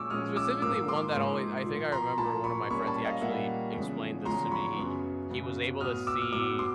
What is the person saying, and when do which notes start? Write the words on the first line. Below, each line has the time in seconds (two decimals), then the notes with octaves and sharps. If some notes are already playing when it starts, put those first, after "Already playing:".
specifically one that always I think I remember one of my friends, he actually explained this to me. He he was able to see
Already playing: A#2 F3 G#3 C#4 C#6 D6 E6
0.10 A#2 F3 G#3 C#4 D#6 F6
0.36 D6 E6
0.62 G#2 F3 A#3 D6 E6
0.88 C6 D6
1.14 G#2 F3 A#3
1.66 A#2 F3 A#3
1.92 A#5 C6
2.18 A#2 F3 A#3 A5 B5
2.44 B5 C#6
2.70 A#2 G3 A#3 C#4 B5 C#6
2.87 A5 B5
3.04 D#5 F5
3.21 A#2 G3 A#3 C#4 E5 F#5
3.73 E2 C#3 F3 G#3 C#4
4.25 E2 C#3 F3 G#3 C#4 A#5 C6
4.51 B5 C#6
4.77 F#2 C#3 F#3 B3
5.29 F#2 C#3 F#3 B3
5.80 A2 F#3 B3 D#6 F6
6.07 D6 E6
6.21 F6
6.33 A2 F#3 B3 D6 E6
6.59 C6 D6